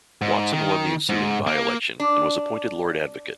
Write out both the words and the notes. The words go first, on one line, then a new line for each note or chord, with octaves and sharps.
Watson won the ensuing by-election and was appointed Lord Advocate.
G#2
D#3
G#2
A#3
D4